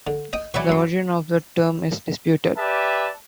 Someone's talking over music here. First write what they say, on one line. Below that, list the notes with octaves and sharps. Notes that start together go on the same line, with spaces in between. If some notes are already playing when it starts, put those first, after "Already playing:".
The origin of the term is disputed.
D3
D#5 G5 D#6
E3 F#3 D5 E5 C#6
F#2 C6
G4 B4 D5 E5 A5